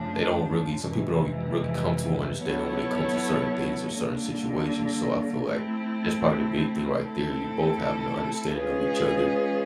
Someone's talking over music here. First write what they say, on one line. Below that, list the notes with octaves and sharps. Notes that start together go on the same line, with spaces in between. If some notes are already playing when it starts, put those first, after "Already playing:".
they don't really some people don't really come to an understanding when it comes to certain things or certain situations, so I feel like that's probably the big thing right there. You both have an understanding of each other,
Already playing: F#2 C#3 F3 A3 D4
F2 C3 E3 G#3
F#3 B3 E4 A4 C#5
D3 G3 A#3
A3 C4 E4
A3 C4 E4 A4
G#3 C#4 F4 G#4 B4